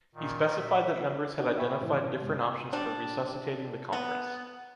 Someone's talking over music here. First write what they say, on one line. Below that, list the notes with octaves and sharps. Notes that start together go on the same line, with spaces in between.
He specified that members had identified different options for resuscitating the Conference.
A#2 D#3
E5
D4 D#4 F#4 G4 A#4 D5
E5 G5 G#5 B5 C#6
A2 C3 E3 C4 E4
G2 C3 G#3
G5 G#5 C6 C#6 E6
G3 D4
B3